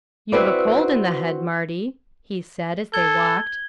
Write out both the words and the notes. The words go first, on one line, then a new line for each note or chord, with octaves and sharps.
"You've a cold in the head, Marty," he said, as they walked.
C4 E4 F#4 B4 D5
A4 G#6 G7